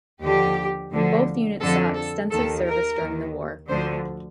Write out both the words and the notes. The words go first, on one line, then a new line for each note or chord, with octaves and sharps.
Both units saw extensive service during the war.
D#2 D3 F3 G4
D2 D3 F3
F2 D3 F3 A4
A4
D#2 D#3 A4
A#4
D#2 D#3
D2 D3 F3 C5